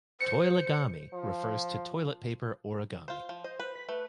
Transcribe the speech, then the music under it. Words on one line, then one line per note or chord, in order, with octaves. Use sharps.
"Toilegami" refers to toilet paper origami.
C5 C#7
F3
F4 C5
F3
C5 D#5
B4
B6
A3 B4